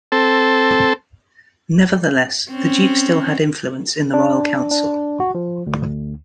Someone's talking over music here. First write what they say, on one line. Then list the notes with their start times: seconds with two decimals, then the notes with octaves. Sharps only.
Nevertheless, the Duke still had influence in the Royal Council.
0.12 C4 A4
2.51 C4 C#4
4.13 D4
4.71 D4
5.20 F#4
5.35 F3
5.67 D2